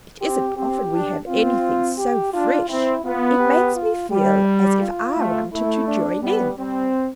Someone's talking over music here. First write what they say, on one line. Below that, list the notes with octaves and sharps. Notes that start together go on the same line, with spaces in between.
It isn't often we have anything so fresh; it makes me feel as if I wanted to join in.
C4 G4
C4 G4
D4
C4 F4
G4
D4 F4
C4 E4
B3 F4
G4
F4
G3 G4
F4
A3
A3 E4
D4
G3 B3
G3 C4